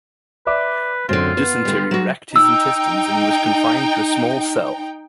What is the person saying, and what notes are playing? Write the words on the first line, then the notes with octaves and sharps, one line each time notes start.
Dysentery racked his intestines and he was confined to a small cell.
B4 D5 E5 D6
F#2 D3 C4 F4 F#4
B3 F#5
D3 G3
F#3 F#4
D#4 G5 E6